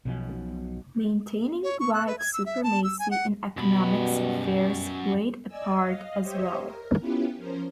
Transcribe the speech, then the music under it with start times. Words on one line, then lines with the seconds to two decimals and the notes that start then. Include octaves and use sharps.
Maintaining white supremacy in economic affairs played a part as well.
0.05 B1 B2 F3 C#4
1.64 C#5
1.80 C#6
1.93 F#6
2.07 B4
2.19 G#6
2.33 E6
2.46 E5
2.64 A5
2.84 E6
2.99 G#5
3.11 F#5
3.57 F#2 B2 G3 B5
5.47 D5 D#5 G#5 E6
5.79 D#5 F5
6.22 G4 C5 C#5 D#5 E5
6.62 A#4
6.98 B3 C#4 E4 F4 G4 B4
7.36 F3 C#4 A#4 C5